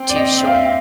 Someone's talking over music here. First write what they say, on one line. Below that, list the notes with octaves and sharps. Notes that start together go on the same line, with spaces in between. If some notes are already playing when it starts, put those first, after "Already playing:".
too sure,
Already playing: C4
D5
D#5
E5
F5
E5
F5